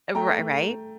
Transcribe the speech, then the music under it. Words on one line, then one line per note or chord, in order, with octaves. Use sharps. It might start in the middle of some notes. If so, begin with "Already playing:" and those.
uh, ri right?
A3 G5 A#5
A3